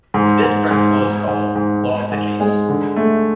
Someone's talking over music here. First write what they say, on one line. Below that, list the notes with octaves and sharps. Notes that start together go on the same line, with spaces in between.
This principle is called law of the case.
G#2
G#2
G#2
G#2
G#2
G#2
G#2
G#2
G#3
D3
A3